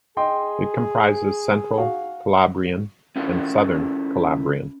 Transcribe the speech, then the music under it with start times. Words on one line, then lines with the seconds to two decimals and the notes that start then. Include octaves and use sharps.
It comprises Central Calabrian and Southern Calabrian.
0.17 G#4 D#5 G5 C6
1.78 F#4 F5
3.16 C#4 E4 F4 A4 A#4 C5